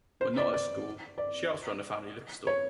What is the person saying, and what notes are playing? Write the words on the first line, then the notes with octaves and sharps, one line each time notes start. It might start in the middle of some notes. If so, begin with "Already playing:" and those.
When not at school, she helps run the family liquor store.
C5
D5
D5
D5
C#5